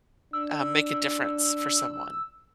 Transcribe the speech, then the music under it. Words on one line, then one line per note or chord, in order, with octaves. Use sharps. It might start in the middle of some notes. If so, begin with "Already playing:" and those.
uh, make a difference for someone?
D4 E6